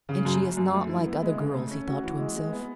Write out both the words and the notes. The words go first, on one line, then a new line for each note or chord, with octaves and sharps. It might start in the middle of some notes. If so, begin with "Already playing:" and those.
"And she is not like other girls," he thought to himself.
C#3
F#2
F#2
F#2
A3
E4
B3
G#3
C#3
A3
C#4
F#4
E3
G#3
G#3
B3